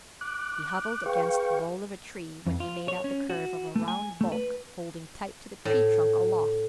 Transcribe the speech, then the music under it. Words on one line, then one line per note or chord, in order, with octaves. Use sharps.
He huddled against the bole of a tree when he made out the curve of a round bulk holding tight to the tree trunk aloft.
D6 F#6
G#4 B4 F5 G5 C#6
F2
F4
C#5
C#4
F#4
A3
G#5
A3
B4
A2